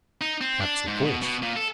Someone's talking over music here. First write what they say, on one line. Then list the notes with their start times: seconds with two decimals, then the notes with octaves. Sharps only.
That's of course.
0.21 D#4
0.41 C4
0.61 D4
0.88 G#2
1.05 B2
1.22 B2
1.42 A#2
1.56 A4